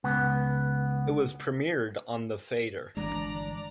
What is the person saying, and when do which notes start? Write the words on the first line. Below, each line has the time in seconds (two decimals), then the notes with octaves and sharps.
It was premiered on The Fader.
0.04 C#2 B3
2.97 G1 E3 G#3 D4 D5 A#5